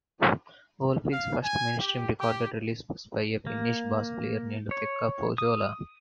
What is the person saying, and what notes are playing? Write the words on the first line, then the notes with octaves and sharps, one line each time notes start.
Oldfield's first mainstream recorded release was by a Finnish bass player named Pekka Pohjola.
F5
G#5
G4
G4
A#3
C#5
D#6